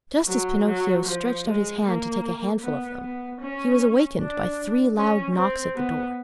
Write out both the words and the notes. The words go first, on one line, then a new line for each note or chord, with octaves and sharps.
Just as Pinocchio stretched out his hand to take a handful of them, he was awakened by three loud knocks at the door.
F#3
F#3
F3
G#3
A#3
B3
B3
C#4
D4
C#4
C4
B3